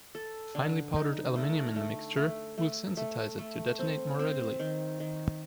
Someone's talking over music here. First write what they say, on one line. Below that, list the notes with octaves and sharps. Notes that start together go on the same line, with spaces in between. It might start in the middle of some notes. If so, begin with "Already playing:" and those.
Finely powdered aluminium in the mixture will sensitise it to detonate more readily.
A4
D3
D#4
A3
A3
A3
A3
A3
A3
C4
C4
D#3
D#3